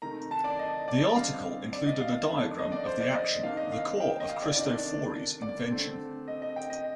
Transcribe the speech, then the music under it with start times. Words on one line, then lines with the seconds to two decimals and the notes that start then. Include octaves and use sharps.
The article included a diagram of the action, the core of Cristofori's invention.
0.02 C3 D#3 A3 A#5
0.31 A5
0.44 D5
0.59 D#5
0.88 D5
1.01 D#5
1.15 D3 G3 C4 F5
1.73 D5
1.86 D#5
2.01 F5
2.30 F2 D#3 A3 D4
2.58 D#5
2.72 D5
2.86 C5
3.00 D5
3.15 D#5
3.43 C3 D#3 A#3 D4 F5
3.57 D#5
3.72 F5
4.00 G5
4.20 D#5
4.29 F5
4.42 D5
4.57 C3 D#3 A3 D4 D5
4.71 D5
5.42 D5
5.71 D3 A3 C4
6.28 D#5
6.42 D#5
6.56 G5
6.70 D#5